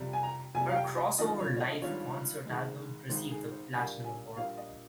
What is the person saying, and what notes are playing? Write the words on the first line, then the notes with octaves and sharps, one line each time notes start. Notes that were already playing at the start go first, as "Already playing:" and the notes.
Her Crossover Live Concert album received the Platinum Award.
Already playing: F2 C3 G3
G#5
A#5
F2 C3 G3 G#5
F5
G5
D#5
G#1 G2 F3 D#5
C#5
C#5
D#5
G#1 G2 F3 C#5
G#1 G#2 D#3 G#3
G#1 G#2 D#3 G#3 C5
G#4
C5
A#1 A#2 G3 A#3 G#5
G#5
A#1 A#2 G3 A#3 F5
D#5